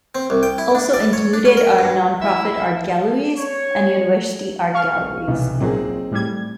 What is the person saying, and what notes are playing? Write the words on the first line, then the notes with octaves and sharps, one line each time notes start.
Also included are non-profit art galleries and university art galleries.
C4
C2
G5
E4
D4
D5
C#5
D4
C#4
A#4
G2
E4 E5
C#5
F5 C#6 F6
B1 C3 E3
A#2 F#3 C4 D#4 G#4
A2 G3 G#6